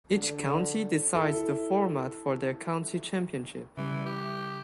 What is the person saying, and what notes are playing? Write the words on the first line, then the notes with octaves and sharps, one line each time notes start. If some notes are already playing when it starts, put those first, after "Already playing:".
Each county decides the format for their county championship.
D3
E4 A4
C#3 E3 G3
G4